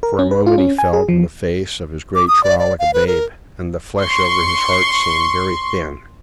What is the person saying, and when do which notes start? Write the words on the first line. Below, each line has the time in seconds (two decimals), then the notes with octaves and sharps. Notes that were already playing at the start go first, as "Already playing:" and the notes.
For a moment he felt in the face of his great trial like a babe, and the flesh over his heart seemed very thin.
0.03 A#4
0.19 C#4
0.31 B4
0.46 F4
0.58 C#4
0.78 G#5
0.93 G#4
1.09 F3
2.15 D6
2.28 D#6
2.43 D5
2.59 D5
2.79 F5
2.94 B4
3.07 A#4
4.02 C6 C#6